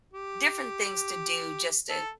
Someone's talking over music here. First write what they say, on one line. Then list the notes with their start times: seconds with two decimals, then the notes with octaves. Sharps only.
different things to do just to
0.13 G4
1.90 A4